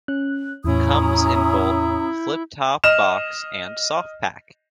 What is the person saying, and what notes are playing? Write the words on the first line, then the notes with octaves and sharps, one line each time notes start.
Comes in both flip-top box and soft pack.
C#4 F#6
E2 A2 C#4 E4 A#5 D#6
D#5 F6 E7